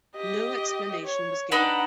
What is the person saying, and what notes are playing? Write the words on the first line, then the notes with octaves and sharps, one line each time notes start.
No explanation was given.
G4 D#5
C#5
D4 D#4 B4 F#5 G5